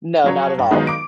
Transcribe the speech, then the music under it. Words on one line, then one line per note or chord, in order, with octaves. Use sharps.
No, not at all.
F3 F#3 C#5
G2
D#3 F#3 G#3 B3 D#4 F4
D6 D7